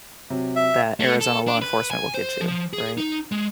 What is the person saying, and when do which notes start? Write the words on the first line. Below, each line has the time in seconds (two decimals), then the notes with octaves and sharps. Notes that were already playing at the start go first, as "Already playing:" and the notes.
that Arizona law enforcement will get you, right?
0.30 C3 F#3
0.56 E5
1.00 A3
1.21 A4
1.47 D4
1.62 B4
1.91 G#5
2.14 C5
2.41 F3
2.73 G#4
2.98 D#4
3.32 G#3